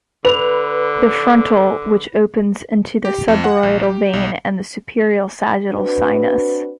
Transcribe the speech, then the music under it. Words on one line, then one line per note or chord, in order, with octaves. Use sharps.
The "frontal", which opens into the supraorbital vein and the superior sagittal sinus.
D3 B4 F7
G4
F2
F#5
A#1
G4
B1
C4 D4 F#4 B4